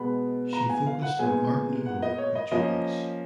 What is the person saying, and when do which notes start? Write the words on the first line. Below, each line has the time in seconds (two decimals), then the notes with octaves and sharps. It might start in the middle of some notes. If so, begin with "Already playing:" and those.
She focused on Art Nouveau picture books.
Already playing: B2 G#3 B3 B5
0.53 A#5
0.69 G#5
0.86 F5
1.02 F#5
1.19 A#2 G#3 B3 G#5
1.86 F#5
2.02 D#5
2.18 C#5
2.35 D#5
2.52 F3 A#3 C#4 D#5